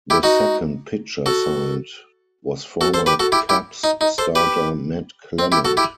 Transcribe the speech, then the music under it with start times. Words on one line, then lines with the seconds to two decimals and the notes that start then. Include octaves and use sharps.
The second pitcher signed was former Cubs starter Matt Clement.
0.10 E4 G4
0.23 D#4 F#4
1.26 F#4 A4
2.81 F#4 A4
2.94 A4 C5
3.06 G4 B4
3.19 F#4 A4
3.32 E4 G4
3.49 E4 G4
3.84 D#4
4.01 D#4
4.18 A4 C5
4.35 G4 B4
5.39 C4
5.52 E4 G4
5.65 F#4 A4
5.77 E4 G4